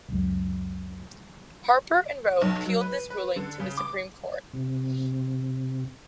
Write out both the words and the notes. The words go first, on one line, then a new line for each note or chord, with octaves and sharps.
Harper and Row appealed this ruling to the Supreme Court.
C#2 F#2
B1
F#3
B4
B4
D3
C#3
D6
C3